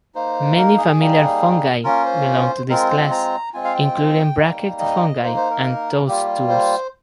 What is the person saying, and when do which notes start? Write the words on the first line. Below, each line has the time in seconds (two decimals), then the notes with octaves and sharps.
Many familiar fungi belong to this class, including bracket fungi and toadstools.
0.15 A#3 D#4 C5
0.58 A#4
0.78 G#4
1.00 G3 A#3 D#4
1.84 A#3 C#4 F4 A#4
2.05 C5
2.69 G#3 C4 F4 A#4
2.90 C5
3.11 A#5
3.54 G#3 C4 F4 G#5
3.64 F5
3.75 G5
4.38 G3 A#3 D#4
4.80 D#5
5.23 A#3 D#4 C5
5.36 C5
5.50 A#4
6.07 G3 A#3 F4 G4
6.49 C5